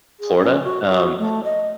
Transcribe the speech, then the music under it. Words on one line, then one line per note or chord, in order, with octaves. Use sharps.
Florida, um,
G#4
C#4
F#4
F#4
A3
D#5